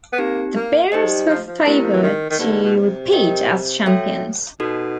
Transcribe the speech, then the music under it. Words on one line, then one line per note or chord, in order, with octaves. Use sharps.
The Bears were favored to repeat as champions.
B3
A#3 C4 D#4 G4
A#3
A3 D#4 G4 C5 D#5
F#3
G3
F3
F3
A3 C4 E4 G4 A#4
F3
E3
D#3
D#3
D3 A#3 D#4 G4 B4
B2
C3
G4 A#4 D#5 G5
F#4 A4 C#5 E5 G5
B2 D#4 F#4 A4